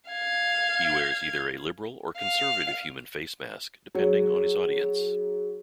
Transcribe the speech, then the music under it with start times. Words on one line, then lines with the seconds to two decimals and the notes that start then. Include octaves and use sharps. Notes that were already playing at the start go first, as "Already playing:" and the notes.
He wears either a "liberal" or "conservative" human face mask, depending on his audience.
0.11 F5 G#6
2.18 F5
3.95 F#3 G#4